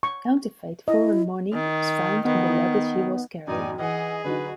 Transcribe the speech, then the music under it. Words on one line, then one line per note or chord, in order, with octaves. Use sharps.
Counterfeit foreign money was found in the luggage he was carrying.
C#6
E4 D#5
D#3
D#3 B3
F#2 A2 D#4 D5 G#5
E3 G#4 D#5 F#5
D3 F#3 D#4 F#4 B4